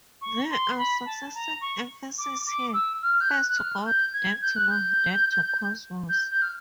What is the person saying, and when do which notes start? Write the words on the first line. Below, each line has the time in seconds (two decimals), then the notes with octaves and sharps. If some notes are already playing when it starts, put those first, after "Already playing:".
There are successive emphases here, first to 'God', then to 'Law', then to 'Cosmos'.
0.22 C#6
0.50 C6
0.78 B5
1.06 A5
1.35 A#5
1.61 C#6
2.18 D6
2.47 D6
2.74 E6
3.02 F6
3.21 G6
3.30 F#6
3.49 F#6
3.58 F6
3.86 G6
4.14 G#6
4.42 G6
4.56 F#6
4.70 G6
6.09 G6
6.31 G6
6.42 F6